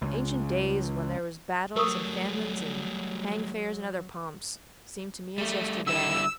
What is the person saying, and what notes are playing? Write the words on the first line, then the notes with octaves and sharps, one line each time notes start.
Ancient days, when there was battles and famines and hang-fairs and other pomps, seem to me as yesterday.
C#2
F#3 G3 A3 A#4 C#6 D#6
G3 A3
D3 G3 E4 E6